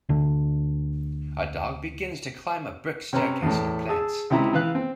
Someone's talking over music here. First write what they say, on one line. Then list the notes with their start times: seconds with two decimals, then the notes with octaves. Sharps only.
A dog begins to climb a brick staircase near plants.
0.09 D2 D3
3.13 C3 C#4 B4 A#5
3.42 E2 A2
3.89 G#4 A5 E6
4.30 C#2 C3 E4 A#5
4.53 E3 B4 F5 F#6
4.75 C4